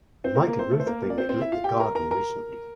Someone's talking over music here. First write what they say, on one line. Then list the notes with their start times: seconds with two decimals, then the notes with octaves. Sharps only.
Mike and Ruth have been neglecting the garden recently.
0.24 C4 C5
0.35 A#3 A#4
0.47 A#3 A#4
0.59 C4 C5
0.71 A3 A4
0.80 C5
0.87 A#3 A#4
1.02 A#3 A#4
1.10 D5
1.18 C4 C5
1.29 C4 C5
1.41 E4 E5
1.52 F4 F5
1.64 G4 G5
1.80 A#4 A#5
1.95 A#4 A#5
2.11 A#4 A#5